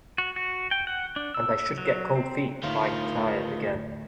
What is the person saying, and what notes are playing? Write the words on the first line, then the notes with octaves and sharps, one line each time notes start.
And I should get cold feet if I tried again.
F#4
F#4
G5
F#5
D4
E6
F#3
C4
D2 A2 D#3 F4